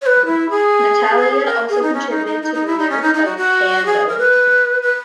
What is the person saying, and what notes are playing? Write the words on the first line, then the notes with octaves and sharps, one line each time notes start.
Natalia also contributed to the lyrics of "Cayendo".
C#5
B4
E4
G#4
A#4
G#4
D#4
C#4
D#4
D#4
D#4
D#4
E4
D#4
C#4
D#4
D#4
F#4
F#4
G#4
A#4
B4
B4